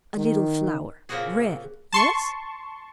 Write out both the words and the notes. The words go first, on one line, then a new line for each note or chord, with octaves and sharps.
A little flower--red?--yes!
D#3
A#2 C#3 A#3 C4 F#4 G#4
A5 C6 C#6